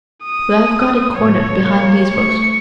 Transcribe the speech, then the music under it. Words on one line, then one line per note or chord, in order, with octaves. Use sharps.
But I've got it cornered behind these books.
D#6
A2 F3 F#3 C#5
C3 G3 A#3
A3 C#6 C#7